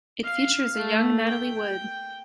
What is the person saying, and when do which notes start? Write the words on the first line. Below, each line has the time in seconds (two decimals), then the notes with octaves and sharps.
It features a young Natalie Wood.
0.24 F5
0.77 A3
1.28 G5